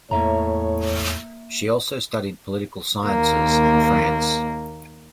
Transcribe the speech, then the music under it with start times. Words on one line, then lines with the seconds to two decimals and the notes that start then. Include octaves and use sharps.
She also studied Political Sciences in France.
0.11 E2 A2 A#3 C#5 E5 A#5
3.05 D#2 A#3